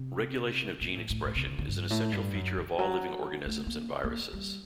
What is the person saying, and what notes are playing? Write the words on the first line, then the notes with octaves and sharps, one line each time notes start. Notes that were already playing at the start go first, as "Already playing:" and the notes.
Regulation of gene expression is an essential feature of all living organisms and viruses.
Already playing: C3
A#2
A2
A2
A2
C3
D3
D3
G2
A2
G2
F#2
D#3
F#3
A3
A#3
A#3
G3